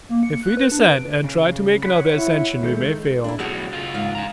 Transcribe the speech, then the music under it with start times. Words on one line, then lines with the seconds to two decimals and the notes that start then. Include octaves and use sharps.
If we descend, and try to make another ascension we may fail.
0.09 A#3
0.23 C#7
0.43 F#6
0.57 B4
0.72 D4
0.87 D7
1.24 C#3
1.83 C#5 F#5 B5
2.17 E4
2.63 D#3 G#3 A4 G6
3.24 D4 E4
3.39 B1 A2 F#4 G#4 A4
3.73 C#3 F4
3.94 D#2 G#2 F5
4.15 G#5 A#5